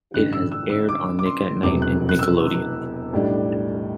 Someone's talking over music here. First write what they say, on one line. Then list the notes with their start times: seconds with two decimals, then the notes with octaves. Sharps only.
It has aired on Nick at Nite and Nickelodeon.
0.14 A1 G2 D3 F#6
0.33 E6
0.52 E6
0.70 E6
0.89 D6
1.19 D6
1.26 C6
1.63 E1 E2 C3 F#3 D6
1.82 F#6
2.09 F#6
2.19 E6
3.13 B1 A2 G3 D4